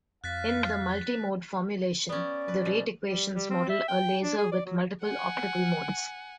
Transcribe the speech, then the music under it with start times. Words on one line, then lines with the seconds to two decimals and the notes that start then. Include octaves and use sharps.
In the multimode formulation, the rate equations model a laser with multiple optical modes.
0.24 F2 F5 F#6 A6 B6
2.09 B3 C#4 D5
2.48 B4
2.65 B2
3.09 G3
3.35 G3
3.50 C4
3.69 E5
3.88 G5
4.22 D4
4.38 G#4
4.52 D5
4.66 F#3
5.03 F#5 G#5